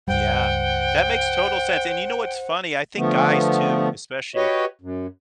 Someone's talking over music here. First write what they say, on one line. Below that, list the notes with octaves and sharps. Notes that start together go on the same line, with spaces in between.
Yeah. That makes total sense, and, you know, what's funny? I think guys too, especially
C#2 G2 G3 C5 F#5 G5
D3 F3 A3 B3
F#4 G4 B4 C#5 D#5
F#2